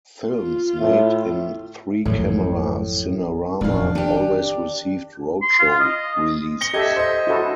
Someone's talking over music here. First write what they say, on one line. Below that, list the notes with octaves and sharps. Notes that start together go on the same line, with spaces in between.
Films made in three-camera Cinerama always received roadshow releases.
F4
A2 E5
G#1 F2 A2 F#3
E1 F2 A2 D4 F5
D#3 D4 G4
C6
F4
D#5
A#6 C#7 G7
G4 A4 D#5 E5 G#6
C5 D#5
E4 F#4 A4